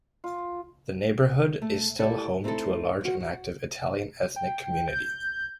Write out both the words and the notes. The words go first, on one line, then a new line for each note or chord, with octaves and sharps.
The neighborhood is still home to a large and active Italian ethnic community.
F4
A3
E4 G4 A4 D5
A3 C4 D#4 E4 A4
F3 F#4
F#4
G5
G6